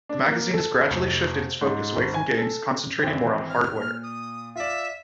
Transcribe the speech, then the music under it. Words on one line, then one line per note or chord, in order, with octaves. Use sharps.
The magazine has gradually shifted its focus away from games, concentrating more on hardware.
D4
A#3
A4
F1
G#2
G#1
G#5
A4
G#1 E3 C4
F6
A#2
D#6
F4 D5 E5